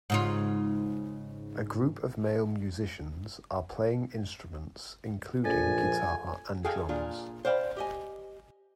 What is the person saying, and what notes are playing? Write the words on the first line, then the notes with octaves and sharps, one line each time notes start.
A group of male musicians are playing instruments including guitar and drums.
G#2 C#3 F4
A#1 A4 G#5 A6
G#4 A4 D#5 F5 G5 G#5
A#2 D4 F4 G#4
C5 D5 F5 G5 B5
G4 D#5 G#5